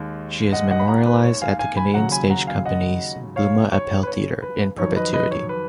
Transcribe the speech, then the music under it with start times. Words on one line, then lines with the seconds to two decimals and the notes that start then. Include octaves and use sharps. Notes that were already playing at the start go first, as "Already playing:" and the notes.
She is memorialized at The Canadian Stage Company's Bluma Appel Theatre in perpetuity.
Already playing: D#2 D#3 G#3
0.52 D#5 F#5
0.71 D#5 F#5
0.80 B5
0.88 F#5 A#5
1.06 B4
1.24 C#5
1.42 F5 G#5
1.59 F5 G#5
1.77 G#5 B5
1.94 D#2 C#3 F#3 F#5 A#5
2.12 G#5 B5
2.30 F#5 A#5
2.47 F5 G#5
2.65 D#5 F#5
3.36 C#5 F5
3.72 C#5
4.03 B4
4.07 C#5
4.42 B4
4.78 F2 D#3 F#3 C#5
4.96 B4 D#5
5.13 B4 D#5
5.31 C#5
5.49 B4